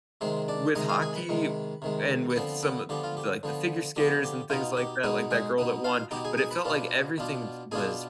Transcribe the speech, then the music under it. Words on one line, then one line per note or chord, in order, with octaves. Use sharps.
With hockey and with some of the, like, the figure skaters and things like that, like that girl that won, but it felt like everything t was
C3 D#3 G#3 C4 C5
D4 D5
C3 D#3 G#3 D#4 D#5
F4 F5
G#4 G#5
B4 B5
C3 D#3 G#3
C3 D#3 G#3
B4
D3 F3 B3 C4 C5
B3 B4
D3 F3 B3 G4
F4
G4
D3 F3 B3
D3 F3 B3 G4
G4
B2 B3 D#4 F4
G4
B2 G#3 B3 D#4 G#4
G#3 G#4
B2 B3 D#4
F4 F5
B2 B3 D#4 G4 G5
G#4 G#5
G#4 G#5
B4 B5
B2 B3 D4 F4
B2 B3 D4 F4
B2 B3 D4 F4 G#4 G#5